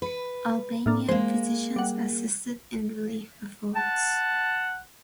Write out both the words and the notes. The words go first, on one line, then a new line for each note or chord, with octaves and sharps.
Albanian physicians assisted in relief efforts.
B4
A2 A#3 D4
G#3 A#3 C5
G3 F#5
F#5 A5